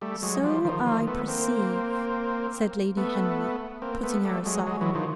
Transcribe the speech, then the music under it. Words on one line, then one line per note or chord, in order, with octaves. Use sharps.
"So I perceive," said Lady Henry, putting her aside.
G3 A3
F#3 G#3
F3 G3
D#3 F3
D#3 F3
A3 B3
A#3 C4
A3 B3
A#3 C4
A3 B3
G3 A3
F#3 G#3
F#3 G#3
E3 F#3
D#3 F3